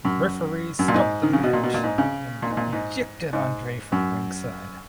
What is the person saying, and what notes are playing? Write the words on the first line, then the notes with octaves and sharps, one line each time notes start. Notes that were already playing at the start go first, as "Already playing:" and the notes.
The referee stopped the match and ejected Andre from ringside.
F#2
F#2
A#2
G#2
D#3
C#3
B2
A#2
B2
A#2
G#2
C#3
A#2
G#2
A#2
G#2
G#2
F#2